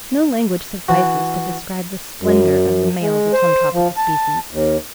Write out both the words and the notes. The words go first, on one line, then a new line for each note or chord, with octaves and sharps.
No language suffices to describe the splendour of the males of some tropical species.
E3 F#4
F#2
G#3
C5
F3
A5
D#2